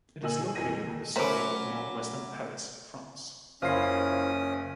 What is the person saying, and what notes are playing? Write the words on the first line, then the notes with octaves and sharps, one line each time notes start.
It is located in the suburb of northwestern Paris, France.
A#2 D#5 G#5 E6 F#7
G#4
F2 E3 G#5 A#6 D#7
G#3
D#2
F#3 A3 C#4 A#4 C5 C#5 B5 D6
F#1 C#4 E4 F4 C5 F5 D#6 C7